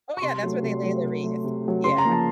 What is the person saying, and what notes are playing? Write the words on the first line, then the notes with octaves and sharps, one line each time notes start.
oh, yeah, that's where they lay the wreath. Yeah.
C#6
C3 C6
F#3 A3
C3
F#3 A3
C3
F#3 A3
C3
F#3 A3
C#3 C6
A#5
F3 A#3
A5